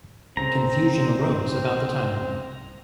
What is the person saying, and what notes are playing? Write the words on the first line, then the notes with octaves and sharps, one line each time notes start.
Confusion arose about the timeline.
C2 C#3 C4 A#5